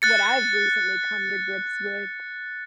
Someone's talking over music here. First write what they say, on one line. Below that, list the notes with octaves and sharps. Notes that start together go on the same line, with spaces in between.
what I've recently come to grips with,
F#6 A6 C#7